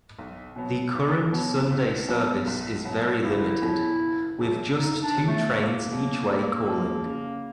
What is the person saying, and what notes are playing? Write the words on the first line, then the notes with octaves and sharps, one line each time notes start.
The current Sunday service is very limited, with just two trains each way calling.
B1
B2 F#3 B3
B1
B2 F#3 B3
B1
B2 F#3 B3
B1
B2 F#3 B3
F#1 E4
E2 B2 F#3
F#1
E2 B2 F#3
F#1 D#4
D4
E2 B2 F#3
A3
F#1 A#3
E2 B2 F#3
C#3
F3 G#3
C#3